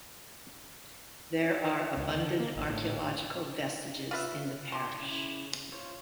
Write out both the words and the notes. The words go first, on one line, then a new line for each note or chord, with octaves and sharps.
There are abundant archaeological vestiges in the parish.
C#2
D3
A#3
G#1
A2
F4 B4 E5
A5 C6 D6
C#3 E4
F4 C5 C#5